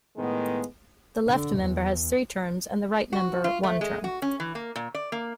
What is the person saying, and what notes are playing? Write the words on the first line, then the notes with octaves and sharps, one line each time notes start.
The left member has three terms and the right member one term.
A2 D#3 G#3 B3
D3
E2
F#4
F4
A3
G#3
F#4
C#4
E3
A#3
A#2
D5
A#3